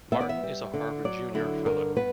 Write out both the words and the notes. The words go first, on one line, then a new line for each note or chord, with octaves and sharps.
Martin is a Harvard junior fellow.
B3 E5
D5
E5
G3
D3
F#3 D5
D3 E4
G2 A#4
B3 B4